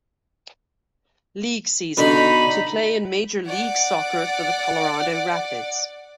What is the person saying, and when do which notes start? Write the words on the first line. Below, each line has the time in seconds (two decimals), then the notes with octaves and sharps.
League season to play in Major League Soccer for the Colorado Rapids.
1.97 B2 D3 D#4 B5
3.47 D5 F#5